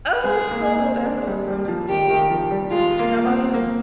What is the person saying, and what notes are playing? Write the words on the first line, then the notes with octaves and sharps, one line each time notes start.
Oh, cool! That's awesome, that's so awesome. How 'bout you?
G#3 G#4
A#3
C4
D4
G3
G3
F3
D#3 G4
D#3
F3
G3
G#3 F4
A#3
C4
A#3